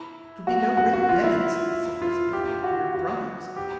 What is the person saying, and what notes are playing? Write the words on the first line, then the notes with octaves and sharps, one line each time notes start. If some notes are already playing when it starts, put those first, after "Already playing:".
'It would be no great penance,' said Rosa Dartle, 'for your crimes.
Already playing: E4
F#4
F#4
F#4
F4
E4
F4
G4
F#4
F#4
G4